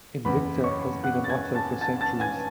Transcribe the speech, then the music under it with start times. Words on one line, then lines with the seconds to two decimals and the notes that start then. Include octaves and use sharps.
"Invicta" has been a motto for centuries.
0.25 F#1 E2 C#3 B4 B5
0.64 C#5 C#6
1.03 F#5 F#6
1.24 A6
1.29 G#5 G#6
1.55 A5 A6
1.81 A5 A6
2.01 A5 A6
2.20 G#5 G#6